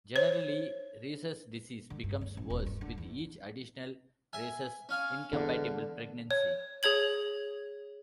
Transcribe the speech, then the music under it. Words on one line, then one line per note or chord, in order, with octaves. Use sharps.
Generally rhesus disease becomes worse with each additional rhesus incompatible pregnancy.
C5 C#5
D3
G2
D2
A1
D#1
G2
D3
E2
E5 G#5
C#4 F5 G#5
E2 D3
C#5
G#4 C#5 G#6 F#7